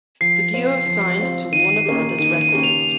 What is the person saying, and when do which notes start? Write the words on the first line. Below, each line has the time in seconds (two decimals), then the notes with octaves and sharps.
The duo signed to Warner Brothers Records.
0.21 F3 C7
0.54 C4 F4 C5
0.86 F3
1.19 C4 F4 C5
1.52 D#3 D#7
1.85 A#3 C#4 G4
2.19 D#3 D#7
2.41 D#7
2.52 A#3 C#4 G4
2.64 F7